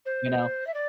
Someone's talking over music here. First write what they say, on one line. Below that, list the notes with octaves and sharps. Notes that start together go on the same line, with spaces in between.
You know,
C5
E5
D5